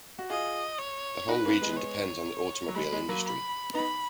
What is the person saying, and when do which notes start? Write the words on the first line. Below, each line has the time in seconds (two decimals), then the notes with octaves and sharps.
The whole region depends on the automobile industry.
0.19 F#4
0.30 F4 G#4 D#5
0.79 C#5
1.28 D#4 F#4 B4
1.45 A#3 C#4
1.61 G#3 B3
1.77 C#5
2.68 F#3
2.75 G#3 B5
2.92 G#3
3.08 F#3 A#3
3.25 B5
3.74 B3 D#4 B5